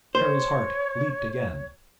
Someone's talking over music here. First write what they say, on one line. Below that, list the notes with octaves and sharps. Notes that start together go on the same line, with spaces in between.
Harry's heart leaped again.
C5 C#5